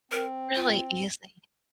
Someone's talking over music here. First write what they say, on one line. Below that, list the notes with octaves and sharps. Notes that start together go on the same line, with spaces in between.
Really easy
C4 A#4
F4